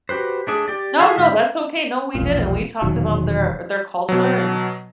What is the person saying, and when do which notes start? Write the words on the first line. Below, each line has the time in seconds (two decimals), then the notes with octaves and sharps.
No, no, that's okay, no, we didn't, we talked about their their culture and
0.09 F#4 G4 B4 C5
0.47 A3 D4 G#4
0.68 G4 D5
1.00 G#4 A4 E5 F5 G#5
1.16 G#2 D3 D#4 G4 E5
2.15 E1 A#1 A#2
2.82 E1 A#2 D#3 F#3
4.09 B2 F#3